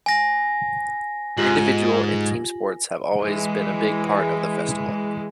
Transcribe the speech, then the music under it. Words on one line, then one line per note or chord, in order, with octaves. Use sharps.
Individual and team sports have always been a big part of the festival.
G#5 A#6
G#2 F4 G4 F#7
E3 G#3